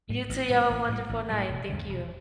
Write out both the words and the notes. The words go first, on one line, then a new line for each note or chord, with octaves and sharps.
You too. You have a wonderful night. Thank you.
A2 G3
A1
A2 G3
A1
A2 G3
A1
A2 G3
E1
E2 D3
E1